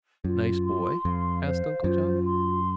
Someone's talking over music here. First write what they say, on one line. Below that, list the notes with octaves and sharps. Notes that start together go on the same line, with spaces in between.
"Nice boy?" asked Uncle John.
F#2 F4
C6
F2 F5
C5
F#2 F4
C6